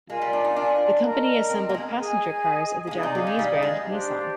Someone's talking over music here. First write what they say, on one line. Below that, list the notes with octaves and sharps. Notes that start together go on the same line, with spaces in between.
The company assembled passenger cars of the Japanese brand Nissan.
G#3 F4 A#4 F5 G#5
G3
D4
D#4
D4
A#4 D#5 A#5
C4
A#3
G#3
G#4 D#5 G#5
A#3
G#3 D#4 G#4 D5 F5
C3
D3
D#3
G3
G#3
D4 G4 C5